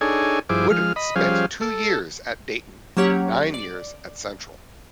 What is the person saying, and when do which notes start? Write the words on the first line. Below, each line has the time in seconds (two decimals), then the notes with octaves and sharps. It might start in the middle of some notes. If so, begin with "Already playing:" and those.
Wooden spent two years at Dayton and nine years at Central.
0.01 D4 D#4 G#4 A4 C#5 G#5
0.49 G2 F3 E4 G#4 C5 D6
0.70 F3 G#3 F6
0.96 D#5 B5
1.16 F3 G3 C#4 G#4 C5 F5
1.61 A4
2.97 F#3 A#3 C#4 G4 C#5 F#5
3.54 D5